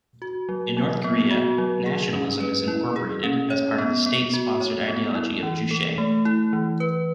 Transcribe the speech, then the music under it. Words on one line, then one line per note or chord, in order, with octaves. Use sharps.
In North Korea, nationalism is incorporated as part of the state-sponsored ideology of Juche.
F#4
F#3
F#3
B3
F#4
F#3
G#4
C#4
B4
E4
G#4
C#4
C#5
B3
B3
F#4
C#5
B3
E4
E3
A4
A3
E4
E3
B4